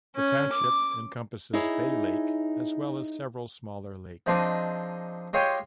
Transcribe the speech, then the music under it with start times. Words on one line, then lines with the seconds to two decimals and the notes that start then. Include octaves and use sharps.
The township encompasses Bay Lake as well as several smaller lakes.
0.16 C#4
0.53 D6
1.53 D#4 E4 G#4 C#5
4.26 F3 G#3 C4 D4 D#4
5.33 G#3 F4 G4 C#5 G5 G#5